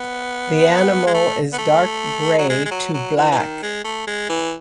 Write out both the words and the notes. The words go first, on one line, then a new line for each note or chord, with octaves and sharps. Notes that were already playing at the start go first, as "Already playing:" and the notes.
The animal is dark grey to black.
Already playing: B3
G#3
A3
B3
A3
F#3
G#3
G#3
F#3
F#3
E3
E3
D#3
G#3
A3
G#3
E3